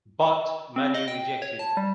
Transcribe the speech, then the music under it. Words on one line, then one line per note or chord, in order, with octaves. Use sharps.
But Mani rejected.
C4
D#5
G5
C#5
A5
G3